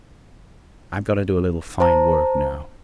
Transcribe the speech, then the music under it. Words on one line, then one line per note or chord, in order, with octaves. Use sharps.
I've got to do a little fine work now.
C5 A5 A#5